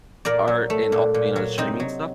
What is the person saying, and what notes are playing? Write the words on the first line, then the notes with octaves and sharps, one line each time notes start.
Art and also, you know, the streaming stuff,
A#2 A#4 D5
F#3
A3
A#2
A#2
F#3
C3 C4 D#4
F#3